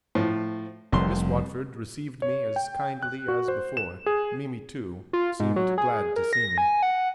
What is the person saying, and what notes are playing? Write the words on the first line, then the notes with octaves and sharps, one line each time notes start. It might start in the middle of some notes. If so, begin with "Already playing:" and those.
Miss Watford received me as kindly as before; Mimi, too, seemed glad to see me.
A2 F3
F1 C2 C6
C#5
G5
F#6
F#4
C5
E7
G#4
F4
G#2
F#3
G#4
A#4
A#6
G#5
F#5